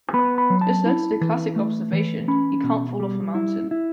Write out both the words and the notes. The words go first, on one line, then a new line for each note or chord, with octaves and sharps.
This led to the classic observation, You can't fall off a mountain.
B3 B5
B5
F#3
A5
E4
E3
A3
E3
C#4 B5
B2
G3
E4
E4